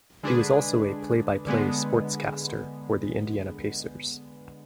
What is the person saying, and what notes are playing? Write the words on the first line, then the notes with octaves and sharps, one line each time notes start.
He was also a play-by-play sportscaster for the Indiana Pacers.
D3 G#3 D4 G#4 B4
D3 G#3 B3